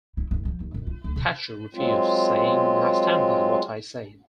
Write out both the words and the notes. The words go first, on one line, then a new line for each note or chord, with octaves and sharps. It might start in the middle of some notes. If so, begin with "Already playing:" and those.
Thatcher refused, saying I stand by what I said.
E4
F#1
F3
D#2
F#2
F4
D2
C#3
F#3 G#3 C4 F4